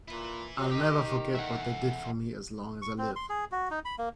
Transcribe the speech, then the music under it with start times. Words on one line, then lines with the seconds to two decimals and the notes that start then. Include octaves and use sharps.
I'll never forget what they did for me, as long as I live.
0.08 A#2 E4 B4
0.56 F3 F#3 D#4
0.71 D#3 D#4 G4 G#4
1.35 E2 A3 E5 F#5
2.82 C#6
2.98 C4
3.16 C6
3.29 G#4
3.52 F#4
3.71 D#4
3.85 B5
3.98 A#3